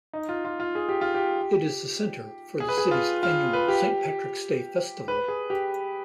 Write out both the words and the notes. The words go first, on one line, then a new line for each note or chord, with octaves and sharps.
It is the center for the city's annual Saint Patrick's Day Festival.
D#4
F4
F4
F4
G#4
G4
F4
G4
G#4
B4
G#4
F4
F4
B4
G4
B4
G#4
G4